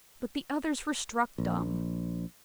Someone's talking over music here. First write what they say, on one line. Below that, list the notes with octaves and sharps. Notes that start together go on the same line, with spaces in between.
But the others were struck dumb.
A#1